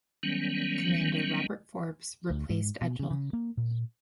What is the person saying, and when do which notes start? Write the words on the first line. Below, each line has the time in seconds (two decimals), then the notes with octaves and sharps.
Commander Robert Forbes replaced Edgell.
0.23 D#3 F#3 G3 B3 C#4
2.30 D2
2.50 G#2
2.81 B2
2.99 C#3
3.11 C#3
3.33 A#3
3.57 A#2